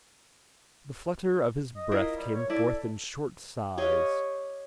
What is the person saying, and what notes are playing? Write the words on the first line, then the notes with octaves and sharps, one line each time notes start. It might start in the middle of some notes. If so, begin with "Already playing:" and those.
The flutter of his breath came forth in short sighs.
D#5
E4 F4 A#4
G3
C#5
E4 A4 D5
G4 C#5 D#5 F5